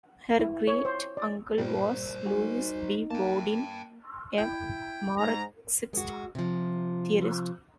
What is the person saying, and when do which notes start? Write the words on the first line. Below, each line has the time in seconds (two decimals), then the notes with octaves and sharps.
Her great-uncle was Louis B. Boudin, a Marxist theorist.
0.39 E4
0.67 C#5
0.85 C5
1.17 D5
1.58 G2 A#2 G3 A#4 C5
2.26 G3 D#4 F#4 G#5
3.11 A#3 G5 A5
4.38 E4 G5
5.18 G#2 A#5
5.93 G#3 F#4
6.35 C3 F3